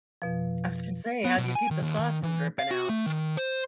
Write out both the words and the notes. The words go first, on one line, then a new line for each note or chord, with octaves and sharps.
I was gonna say, how do you keep the sauce from dripping out?
F2 B2 F3
B3
B2
G#5
D#3
D#2
D#3
E3
F5
F#4
A3
D#3
C5